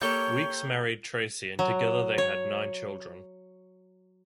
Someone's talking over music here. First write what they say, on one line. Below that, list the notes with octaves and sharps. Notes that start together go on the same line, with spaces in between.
Weeks married Tracy and together they had nine children.
A#3 G4 A4 C#5 G6 G7
F#3
C#5